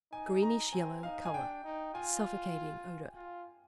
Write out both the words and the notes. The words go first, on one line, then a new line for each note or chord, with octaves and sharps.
Greenish-yellow colour, suffocating odour.
D#4 G#5
A#5
C4 G#5
D#4 F5
G#5
D4 G5
D#4
F4 G#5
F4